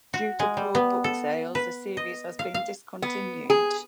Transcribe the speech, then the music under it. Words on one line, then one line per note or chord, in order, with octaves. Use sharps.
Due to poor book sales, the series has been discontinued.
F#4
G#3
G3
B3
A4
B4
D#5
F5
F5
B3
G#4